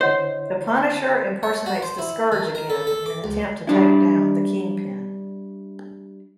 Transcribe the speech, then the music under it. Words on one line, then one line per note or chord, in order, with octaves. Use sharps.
The Punisher impersonates the Scourge again in an attempt to take down the Kingpin.
D3 E4 C5 C#5 D#5 F#5
C#5
F#4
C5
E4
D#3
A#4
A4
A4
D6
C#2
G3 D4 E4